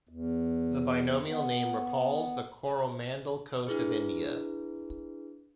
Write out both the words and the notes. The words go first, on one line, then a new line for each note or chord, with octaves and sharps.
The binomial name recalls the Coromandel Coast of India.
E2
B3
D4 E4 G#4 B4